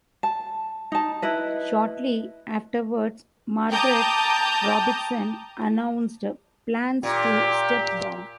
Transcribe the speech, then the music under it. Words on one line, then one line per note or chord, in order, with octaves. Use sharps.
Shortly afterwards, Margaret Robertson announced plans to step down.
A5
D#4 A5
E4 B4 D#5
G5 A5 A#5 D6 D#6 G6
A#2 G4